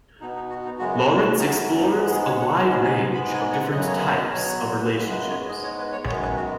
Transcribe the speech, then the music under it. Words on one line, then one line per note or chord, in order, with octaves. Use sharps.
Lawrence explores a wide range of different types of relationships.
B2 B3 D#4
D#4
F#4
D#4
F#2 C#3 G#3 B3 F#4
F#4
F#4
F#2 F#3 B3 D#4
C#4
D#4
G#2 G#3 B3
G#4
C#5
F#5
G#2 G#3 B3 D#5
G#5
G#2 G#3 B3 B5
G#5
F#5
F#2 C#3 F#3 B3 D#5
C#5
D#5
B2 F#3 B3 C#5
F#2 C#3 G#3 B3 B4
B4
C#5
G#2 G#3 B3 D#5
C#5
B4
C#5
F#2 D#3 G#3 B3 C#5
B4
F#4